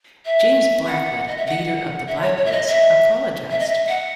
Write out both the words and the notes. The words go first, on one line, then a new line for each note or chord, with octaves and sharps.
James Blackwood, leader of the Blackwoods, apologized.
E5
F#5
D#5
E5
F#5
E5
C#5
C#5
E5
D#5
E5
E5
D#5
E5
F#5